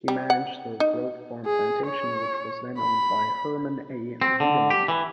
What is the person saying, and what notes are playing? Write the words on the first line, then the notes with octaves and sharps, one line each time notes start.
He managed the Grove Farm Plantation which was then owned by Hermann A. Widemann.
G3
F#5
D#4
G#4
C#5
B5
C4
D3
G4
E3